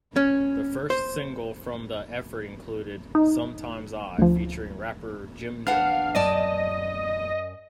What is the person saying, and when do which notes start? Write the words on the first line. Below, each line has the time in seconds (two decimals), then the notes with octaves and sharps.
The first single from the effort included "Sumtimes I" featuring rapper Jim Jones.
0.16 C#4
0.90 C5
3.15 D#4
4.18 D2 F3
5.67 D4 B4 F5 F#5
6.15 F#2 D5 D#5 A5